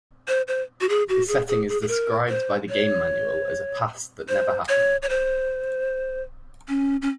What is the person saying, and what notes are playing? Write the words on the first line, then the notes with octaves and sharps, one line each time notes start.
The setting is described by the game manual as a "past that never happened".
C5
C5
F#4
G#4
F#4
G#4
G#4
G#4
G#4
A#4
C5
C#5
C5
C#5
C#5
C5
C#4
C#4